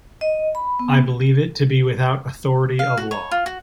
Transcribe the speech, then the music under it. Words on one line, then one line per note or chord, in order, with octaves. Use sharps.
I believe it to be without authority of law.
D#5
B5
B3
F5
F#4
C#5
F4
F#4